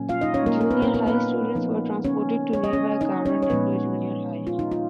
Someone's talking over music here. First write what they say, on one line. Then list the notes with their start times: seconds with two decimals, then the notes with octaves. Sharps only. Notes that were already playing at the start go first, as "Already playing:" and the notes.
Junior high students were transported to nearby Carver Negro Junior High.
Already playing: A#2 F#3 A#3 C#4
0.09 F4 F5
0.21 D#4 D#5
0.34 C#4 C#5
0.46 A#3 A#4
0.61 A#4
0.71 B3 B4
0.82 A#3 A#4
0.94 A#3 A#4
1.07 B3 B4
1.55 F3 B3 D#4
2.04 C#4 C#5
2.53 C#5
2.64 D#5
2.73 C#4 C#5
3.01 D#4 D#5
3.26 C#4 C#5
3.42 C#5
3.50 A#2 F3 G#3 B3 B4
4.47 F4
4.59 D#4
4.72 F4